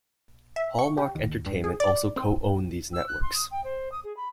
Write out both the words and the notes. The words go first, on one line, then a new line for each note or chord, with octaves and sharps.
Hallmark Entertainment also co-owned these networks.
E5
C#6
G4
D#2
G2
G#4
D5
C4
E6
F#6
C6
D#6
G5
C5
D#6
G#4
B5